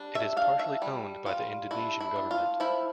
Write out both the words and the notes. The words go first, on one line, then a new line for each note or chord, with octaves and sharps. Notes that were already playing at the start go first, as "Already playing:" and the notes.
It is partially owned by the Indonesian government.
Already playing: G3 D4
E5
D4 F5
E5
G3
G3 F4
D4 E4
E4
D4
F4
F3 E4